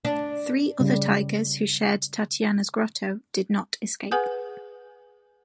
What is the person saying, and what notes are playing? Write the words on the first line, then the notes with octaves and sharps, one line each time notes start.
Three other tigers who shared Tatiana's grotto did not escape.
D4
C#3 G3
G#4 B4 F#5 G#5 D#6 G6